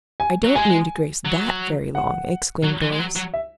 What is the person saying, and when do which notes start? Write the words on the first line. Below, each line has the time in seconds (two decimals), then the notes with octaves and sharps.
"I don't mean to grace that very long!" exclaimed Doris.
0.20 G#5
0.44 F#3
0.55 G#3 G#5
1.25 F#3
1.95 F#5
2.64 F#3
2.82 E3
2.92 G#3
2.99 F#3
3.16 F#3
3.34 E5